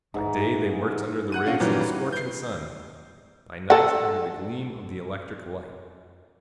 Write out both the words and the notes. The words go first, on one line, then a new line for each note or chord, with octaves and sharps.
By day they worked under the rays of the scorching sun; by night, under the gleam of the electric light.
G#2 E3
F#5 F#6 D#7
D3 C#4 F5 F#5
A#2 D#3 E3 F#3 G3 C#4
B4
G6 C7
A4 F#5